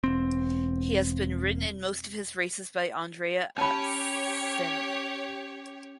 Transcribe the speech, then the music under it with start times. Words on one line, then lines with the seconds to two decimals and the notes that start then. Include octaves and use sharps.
He has been ridden in most of his races by Andrea Atzeni.
0.04 E1 C4
3.58 C#4 G4 C#5 A5 B5